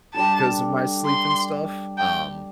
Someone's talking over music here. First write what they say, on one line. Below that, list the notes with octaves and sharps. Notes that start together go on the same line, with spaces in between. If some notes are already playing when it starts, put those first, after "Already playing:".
'cause of my sleep and stuff, um
G3 D4 A4 A5
C6
G5